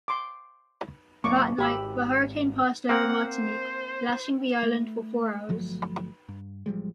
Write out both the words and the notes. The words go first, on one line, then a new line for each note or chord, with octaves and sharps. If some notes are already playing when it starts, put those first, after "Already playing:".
That night, the hurricane passed over Martinique, lashing the island for four hours.
C6 D6
D1 F#2 A#3 C#6 D6
G#1 G4 B5 E6
A#3 C4 A#4 F#5
C5
A3
G1 F3 F#3 A3
G2
A1 F3 G3 G#3